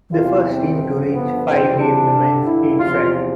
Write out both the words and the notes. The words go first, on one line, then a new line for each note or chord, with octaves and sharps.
The first team to reach five games wins each set.
E2 C3 E3 G3 F4
C4
G2 D3 F3
B3
F2 C3 E3 G3 C4
D4
G2 D3 G3
E4
E2 C3 F3 F4